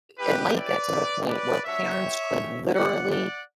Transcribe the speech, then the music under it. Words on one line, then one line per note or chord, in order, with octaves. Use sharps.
it might get to the point where parents could literally
G3 B3 E4 G4 B4
C#4 E4 G4 B4 D5
A3 E4 G4
C#4 G4 B4 D5
G3 D4 F#4 C#5 E5
B3 E4 G4
A3 C#4 G4
B3 E4 G4 D5 F#5
A3 C#4 E4 G4 D5 F#5